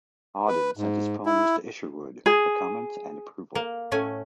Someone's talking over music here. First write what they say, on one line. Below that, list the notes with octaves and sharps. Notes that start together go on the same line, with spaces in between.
Auden sent his poems to Isherwood for comment and approval.
B4
G#2
E4
G#4
A#3
A2 A3 C#4 G#5